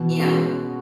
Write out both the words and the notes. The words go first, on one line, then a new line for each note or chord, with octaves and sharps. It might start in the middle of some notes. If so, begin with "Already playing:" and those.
you know,
Already playing: B2 E3
G#3 C#4 F#4